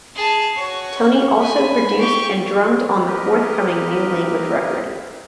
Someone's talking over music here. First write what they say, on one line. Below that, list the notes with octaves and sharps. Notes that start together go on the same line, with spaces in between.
Tony also produced and drummed on the forthcoming New Language record.
G#4 A5
F#4 C#5
G#5 B5
G4 C#6
C4 G4 A#4 B4 D#5